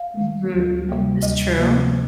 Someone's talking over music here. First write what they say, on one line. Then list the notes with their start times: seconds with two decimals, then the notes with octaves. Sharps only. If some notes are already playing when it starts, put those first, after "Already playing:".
Mhm. That's true.
Already playing: F5
0.19 D#3 A3
0.53 D2
0.88 C3 G3 A#3
1.23 D2 D#5
1.57 C3 F3 A#3